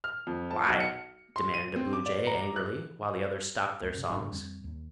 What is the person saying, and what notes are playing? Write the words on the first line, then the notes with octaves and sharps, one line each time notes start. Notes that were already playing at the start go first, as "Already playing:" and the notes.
"Why?" demanded a blue jay, angrily, while the others stopped their songs.
F6
F2
A5
B1
C#7
C6
D#7
C4
D6
D5
A#5
F#6
D2
F#2 C3
G1 G#2 C#4 D4
F2 G3 C4
D#2